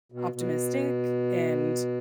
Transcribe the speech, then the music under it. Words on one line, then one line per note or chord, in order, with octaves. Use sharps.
optimistic, and
B2
B2